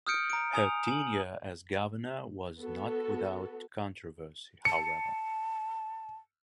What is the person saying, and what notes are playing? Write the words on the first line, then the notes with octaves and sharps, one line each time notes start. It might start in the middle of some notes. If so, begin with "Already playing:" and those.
Her tenure as governor was not without controversy, however.
D#6 F6 G6 C#7 D7
A#5 D7
G#5 D#6 F7
G#5 F#7
B3 F#4 A4
A5 C#7